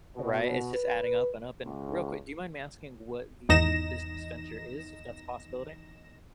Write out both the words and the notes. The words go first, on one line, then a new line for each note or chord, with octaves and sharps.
Right, it's just adding up and up and, real quick, do you mind me asking what the business venture is, if that's a possibility?
B2
B4
C#2
G#1 E2 D#4 A#6 E7